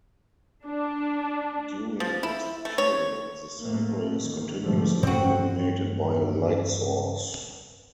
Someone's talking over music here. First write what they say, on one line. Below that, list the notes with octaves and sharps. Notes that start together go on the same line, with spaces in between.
During this period, the sample is continuously illuminated by a light source.
D4
F3
E4
A3
C#5
A2 A3 A#3
D#3
G#2 B2 D3 F3 G3 A3
G2 E3 C4 C#4 F#4